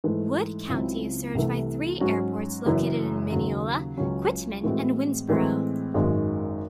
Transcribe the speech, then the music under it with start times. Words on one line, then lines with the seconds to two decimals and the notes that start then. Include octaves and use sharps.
Wood County is served by three airports located in Mineola, Quitman, and Winnsboro.
0.04 G#2 E3 A3
0.70 C#2 C#3 F#3 C4 E4
1.35 C2 C3 E3 A3
2.00 G#2 F#3 C#4 F#4
2.66 F#1 F#2 E3
3.32 D#2 C#3 F#3
3.98 C#2 C#3 F#3 C#4
4.63 A2 E3 G#3 C4 F#4
5.28 A2 E3 G#3 C4
5.94 G#1 F#2 D#3 G#3